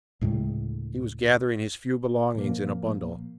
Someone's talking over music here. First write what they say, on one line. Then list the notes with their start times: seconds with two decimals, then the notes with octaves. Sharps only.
He was gathering his few belongings in a bundle.
0.21 D2 A2 C#3 G#3
2.35 A#2 F3 A#3